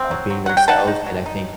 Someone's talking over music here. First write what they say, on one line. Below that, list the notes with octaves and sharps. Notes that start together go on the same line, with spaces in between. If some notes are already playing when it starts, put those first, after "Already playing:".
uh, being themselves, and I think
Already playing: C4
F#3
F#3
F#3 F#5
G5
D#4 F#5 A5
D#4
F#3
D#4